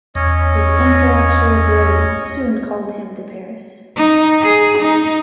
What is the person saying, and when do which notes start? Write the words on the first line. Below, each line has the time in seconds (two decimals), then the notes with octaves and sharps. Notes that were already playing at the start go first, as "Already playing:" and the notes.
His intellectual brilliance soon called him to Paris.
0.15 E2 C#4 C#5 D#5
3.97 D#4
4.42 G#4
4.79 D#4